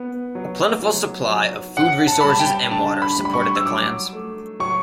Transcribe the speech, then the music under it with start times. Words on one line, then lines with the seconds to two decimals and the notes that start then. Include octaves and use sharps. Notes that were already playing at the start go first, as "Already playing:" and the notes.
A plentiful supply of food resources and water supported the clans.
Already playing: B3
0.35 F#3
0.82 F#3
1.29 F#3
1.77 C#4 F#5
2.07 A5
2.21 G3 B5
2.30 A5
2.40 G5
2.71 D3 A5
3.02 B5
3.18 G3
3.25 B5
3.34 C#6
3.56 E6
3.65 F#3 D6
4.13 A3
4.60 F#3 C#6